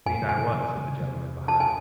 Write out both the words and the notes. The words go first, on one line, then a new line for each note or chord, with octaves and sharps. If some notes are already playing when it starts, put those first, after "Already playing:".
'Ain't I what?' said the gentleman behind.
F2 G#5
B2
G#5
B2
C3
C#3
C3
A5
G#5